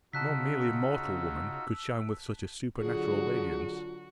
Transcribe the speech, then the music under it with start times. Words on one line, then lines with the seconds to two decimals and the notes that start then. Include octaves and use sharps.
No merely mortal woman could shine with such a supernatural radiance.
0.13 C#3 D#4 F4 F#4 A5 E6 F#6 B6
2.80 D3 F#3 F4 F#4 G#4